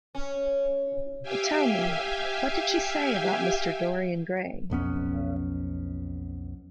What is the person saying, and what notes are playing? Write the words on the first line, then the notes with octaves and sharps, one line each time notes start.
But tell me, what did she say about Mr. Dorian Gray?
C#4
G4 E5 F5 G5 G#5
B1 F2 B3 C#4